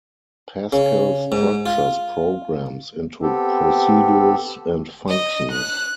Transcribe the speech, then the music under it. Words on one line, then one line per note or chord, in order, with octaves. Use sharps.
Pascal structures programs into procedures and functions.
C#3
G#2
F4
B3 C4 G4 A4
D#5
F#6